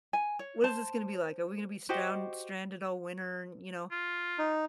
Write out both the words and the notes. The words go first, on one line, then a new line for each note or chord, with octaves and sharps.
"What is this gonna be like? Are we gonna be stround stranded all winter, you know?"
G#5
C#5
C5 A5
F#4 G4 C5 D#5
F4
D#4